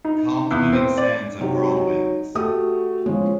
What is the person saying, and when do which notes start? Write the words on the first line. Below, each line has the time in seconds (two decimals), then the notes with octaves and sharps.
Calm the moving sands and whirlwinds.
0.05 D#4
0.51 E2
0.73 C4
0.98 D5
1.40 C3 F#3 D#4 G4
1.77 D#4
2.35 A3 F#4 G4 D#6
3.06 F3 G#3 C#4